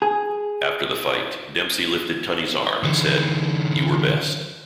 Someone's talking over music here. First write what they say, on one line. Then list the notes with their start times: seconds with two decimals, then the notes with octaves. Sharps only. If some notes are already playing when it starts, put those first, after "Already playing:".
After the fight, Dempsey lifted Tunney's arm and said, You were best.
0.02 G#4
2.84 D3 E3